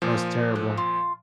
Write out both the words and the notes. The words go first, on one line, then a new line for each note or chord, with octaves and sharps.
it was terrible.
A#2 F3 G6
A4 F#6
F4